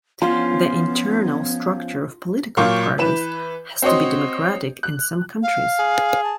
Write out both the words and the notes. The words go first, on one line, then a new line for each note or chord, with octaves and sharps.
The internal structure of political parties has to be democratic in some countries.
F3 B3 C#4 F4 C6
A#2 F#3 F5 C#6 G6
E3 B4 E7
C4 F#4 C5 C#5 D#5 C6
F#6
F5
G#4
A5